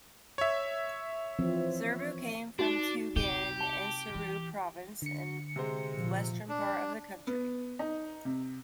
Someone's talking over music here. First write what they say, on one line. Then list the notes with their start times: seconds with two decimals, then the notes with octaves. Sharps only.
Zerbo came from Tougan in Sourou Province in the western part of the country.
0.38 C#5 E5
1.39 E3 F3 C4
2.59 D4 D#4 F#4
3.16 C3 G4
3.61 A5
4.14 E3
5.02 D3 C#7
5.56 C3 G#3 C5
5.93 A#2 F3
6.49 D4
7.27 B3
7.79 D#4
8.25 C3